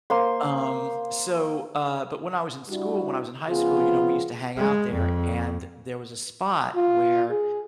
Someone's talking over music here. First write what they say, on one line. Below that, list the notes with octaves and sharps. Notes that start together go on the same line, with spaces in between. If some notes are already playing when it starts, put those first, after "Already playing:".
um, so, uh, but when I was in school- when I was in high school- you know, we used to hang out there, and there was a spot where
A#3 C5 C6
G3 D4 E4 F#4
C#3 F3 B3 F4 G#4
G#3
F2
F4
G#4